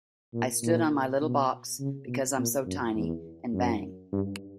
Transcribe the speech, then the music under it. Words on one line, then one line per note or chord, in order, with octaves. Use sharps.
I stood on my little box - because I'm so tiny - and bang!
A#2
A#2
B2
C#3
B2
A#2
F#2
E2
F#2
G2